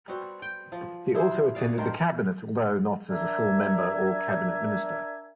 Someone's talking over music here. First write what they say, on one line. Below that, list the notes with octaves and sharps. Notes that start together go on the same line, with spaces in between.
He also attended the Cabinet, although not as a full member or Cabinet Minister.
G3 B3 C4 F#4
G5
F3
D4 E4 G#4 C5
F#4 G#4 D5 F5
G2 D#3 A#4 C5
D4 A#4 E5 G#5